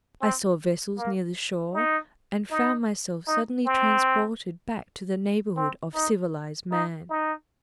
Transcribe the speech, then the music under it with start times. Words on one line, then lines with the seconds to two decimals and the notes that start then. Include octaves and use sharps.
I saw vessels near the shore and found myself suddenly transported back to the neighbourhood of civilized man.
0.21 C4
0.98 A#3
1.74 D#4
2.51 D#4
3.27 D#4
3.66 C4
5.57 C4
5.95 D#4
6.71 D#4
7.10 D#4